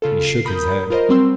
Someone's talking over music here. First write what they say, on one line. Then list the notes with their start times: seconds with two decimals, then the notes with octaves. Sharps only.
He shook his head.
0.02 C#3 F4 A4
0.27 C7
0.45 A#4 B5 D#6 G6
0.90 F4 A#4 C5 D#5
1.09 F#3 G3 C4 C6 E6